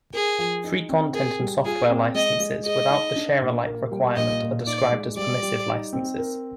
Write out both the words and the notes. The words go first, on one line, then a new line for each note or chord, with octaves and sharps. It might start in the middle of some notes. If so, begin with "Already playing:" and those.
Free content and software licences without the share-alike requirement are described as permissive licences.
G#4 A#4
F3
D#4
C4
G#4 A#4
G3
F4 G#4
C4
G#3 D#5
G#3
G#4 D#5
D#4
D4
A#2
A#3
G3
A#2 D#5
A#2
D#4 D5
G#3
G3 D5
G3
D#4
C4
A#4